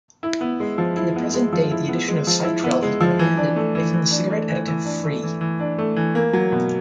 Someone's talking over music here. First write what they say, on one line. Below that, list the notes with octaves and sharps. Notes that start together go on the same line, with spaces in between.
In present day the addition of Cytrel has been abandoned, making the cigarette additive-free.
E4
B3
G#3
F3
E4
B3
G#3
F3
E4
B3
G#3
F3
E4
B3
G#3
F3
E3
D4
A3
E3
E3
D4
A3
E3
E3
D4
A3
E3
E3
D4
A3
E3
A#3
F#3
B2